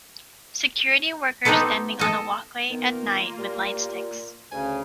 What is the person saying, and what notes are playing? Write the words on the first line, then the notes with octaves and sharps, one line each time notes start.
Security workers standing on a walkway at night with light sticks.
B3 C4 D#4 G4 A4 B4
A4 D#5
D#3 A#3 B3 F4
A#2 G4
D2 C#3 G#5